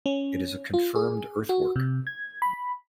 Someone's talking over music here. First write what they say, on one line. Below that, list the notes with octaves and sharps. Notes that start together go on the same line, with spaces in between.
It is a confirmed earthwork.
C#4
F4
G#4
F#4
C3
G#6
B5